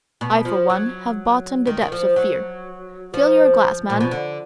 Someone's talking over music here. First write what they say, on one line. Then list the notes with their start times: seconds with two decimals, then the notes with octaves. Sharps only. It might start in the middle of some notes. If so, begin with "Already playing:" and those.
I for one have bottomed the depths of fear. Fill your glass, man!
0.21 B2
0.45 F3
0.70 F#3
1.67 D#3
1.82 D#3
1.92 F3
2.16 F#3
3.14 F3
3.90 A#2
4.00 B2
4.11 D3